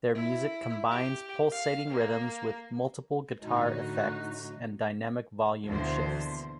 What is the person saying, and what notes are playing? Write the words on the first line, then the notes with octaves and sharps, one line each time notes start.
Their music combines pulsating rhythms with multiple guitar effects and dynamic volume shifts.
E4
G4
F5
A#3
A2 D3 D#4 F#4
D2 B2 D3 E3 A#3 C5